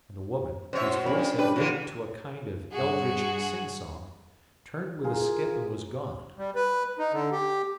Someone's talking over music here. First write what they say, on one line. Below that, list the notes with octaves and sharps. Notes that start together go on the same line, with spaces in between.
And the woman, whose voice had risen to a kind of eldritch sing-song, turned with a skip, and was gone.
F#2 C5 C#5 E5
G2 C#4 B5
D4 G4 B4
F#2 E3 A#3
G2 F#4 G#4
F4 G#4 A#4
G3
B4
D#4
D3
G4